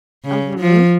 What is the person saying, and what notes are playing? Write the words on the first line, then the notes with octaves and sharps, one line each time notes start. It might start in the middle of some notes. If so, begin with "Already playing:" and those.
Uh, hmm.
C#3
F3